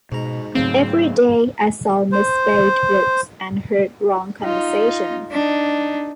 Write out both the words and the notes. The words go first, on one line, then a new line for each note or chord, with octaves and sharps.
Every day I saw misspelled words and heard wrong conversations.
G#2 B2 A#5
B1 G#2 C#3 F#3 A3 C4 F5
C5
D#4 F4
D4 D#4